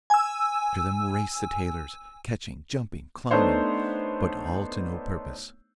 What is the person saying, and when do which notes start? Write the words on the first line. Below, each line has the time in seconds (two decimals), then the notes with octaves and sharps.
After them ran the tailors, catching, jumping, climbing, but all to no purpose!
0.10 G#5 E6
3.30 A3 B3 D4 D#4 C5 C#5